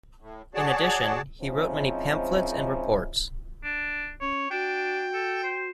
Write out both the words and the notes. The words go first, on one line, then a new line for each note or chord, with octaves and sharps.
In addition, he wrote many pamphlets and reports.
A2
F#4 G#4 C#5 D5 A5
F3 G#3 C4 C#4 D#4 E4
D4
C#4 C#5
D4 F#4 G5
A4
C5